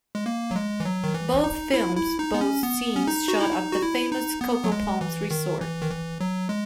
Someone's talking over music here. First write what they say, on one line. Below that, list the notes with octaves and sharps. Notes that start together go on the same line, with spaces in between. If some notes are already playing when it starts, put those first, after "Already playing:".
Both films boast scenes shot at the famous Coco Palms resort.
G#3
A#3
F#3
G#3
E3
F#3
D#3
E3
D#4
E4
E4
D#4
B3
C#4
B3
C#4
D#4
F#4
E4
D#4
F#4
E4
D#4
B3
F#3
G#3
E3
D#3
E3
D#3
E3
F#3
G#3